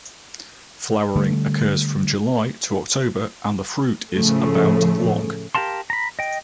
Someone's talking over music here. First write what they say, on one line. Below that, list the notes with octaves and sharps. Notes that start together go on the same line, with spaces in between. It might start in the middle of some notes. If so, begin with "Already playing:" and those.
Flowering occurs from July to October and the fruit is about long.
D3 G3 A3
A2 C#3 F3 A3
G4 A#4 F5 A5 C6
A#5 B5
D#5 G5